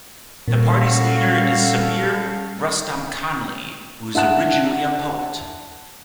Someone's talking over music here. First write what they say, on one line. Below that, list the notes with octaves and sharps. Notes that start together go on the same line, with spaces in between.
The party's leader is Sabir Rustamkhanli, who is originally a poet.
A#2 G3 C#4 F#4 A4 F5
D4 E5 F#5 A5 F#6 E7